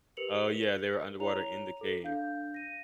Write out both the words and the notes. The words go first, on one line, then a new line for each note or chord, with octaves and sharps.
Oh, yeah. They were underwater in the cave.
G4 A#4 B4 C#7 F7 F#7
E4 C#5 A#5 F7
A4
D4 F5 G6
A#6 D#7